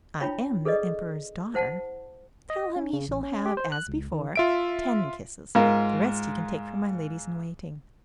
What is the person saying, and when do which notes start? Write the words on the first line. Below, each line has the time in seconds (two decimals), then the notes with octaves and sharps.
'I am the Emperor's daughter! Tell him he shall have, as before, ten kisses; the rest he can take from my ladies-in-waiting.'
0.20 D4 E4 F4 C#5 G5 B5
0.65 G#4 A4 B4 D5 D#5
1.54 E4 C5 F#5 A5
2.50 D#5
2.76 C#4
2.93 C#3
3.08 A1
3.23 C#4
3.46 G4
3.57 C5
3.72 F#6
3.88 C#2
4.12 D#3
4.36 F4 E5 D7
5.55 G#2 F4 A#4